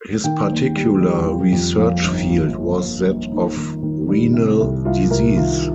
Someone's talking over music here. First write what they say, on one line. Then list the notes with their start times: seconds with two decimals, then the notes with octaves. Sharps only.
His particular research field was that of renal disease.
0.24 D#3 G5
0.50 D#2
0.76 G3
1.01 G3
1.27 F3
1.53 F2
1.78 F3
2.02 G1 F4
2.12 D#4
2.29 D#2 F4
2.55 D#2
2.80 D#2
3.06 D#2
3.32 D#2 D#4
3.57 D#3
3.83 D#3
4.09 G3
4.34 C3
4.60 C2
4.85 C2 F4
5.11 C2 A#4
5.37 D#3 F4